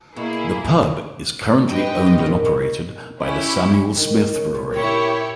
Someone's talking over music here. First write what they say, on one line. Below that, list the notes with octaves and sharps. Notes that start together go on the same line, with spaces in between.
The pub is currently owned and operated by the Samuel Smith Brewery.
B2 A#3 E4 G#4
G2 G4 B4 D#5 G5
G#2
G#2
B2
A#2
B2
C#4 E4 G4
D#3
D#3
C#3
A#2
A#2 E4 G4 C#5